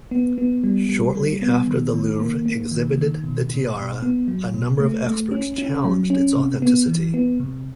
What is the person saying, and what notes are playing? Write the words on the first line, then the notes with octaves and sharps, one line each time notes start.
Shortly after the Louvre exhibited the tiara, a number of experts challenged its authenticity.
B3
B3
G3
G3
G3
B3
D#3
D#3
A#3
A#3
D#3
D#3
B2
B2
B2
B3
F#3
B2
A3
A3
C#4
C#4
F#3
C#4
C3
B3
E3
B3
C3